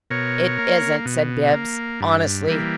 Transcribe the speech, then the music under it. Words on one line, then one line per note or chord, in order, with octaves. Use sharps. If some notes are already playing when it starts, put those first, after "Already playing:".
"It isn't," said BIBBS, honestly.
B2 A#4 C#5
A#3
B2
A#3
G2
E3 G3 A#3